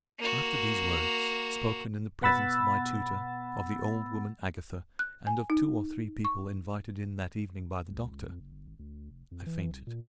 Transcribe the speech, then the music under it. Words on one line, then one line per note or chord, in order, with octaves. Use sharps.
After these words, spoken in the presence of my tutor, of the old woman Agatha, and of two or three people invited in that evening by the doctor, I fainted.
A#3 F#4
B2 B3 F#5 B5 E6 A6
F#6
G#5
D#4
C#6
C#2
C#2
F2
F#1
G1
G#1
D2
F1
F2
E3
C2
A#2